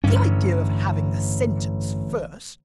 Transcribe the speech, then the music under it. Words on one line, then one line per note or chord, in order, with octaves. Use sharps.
'The idea of having the sentence first!'
A1 G2 D3 C#4